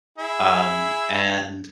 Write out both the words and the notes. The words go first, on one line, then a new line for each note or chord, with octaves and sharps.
um, and
E4 G#4 E5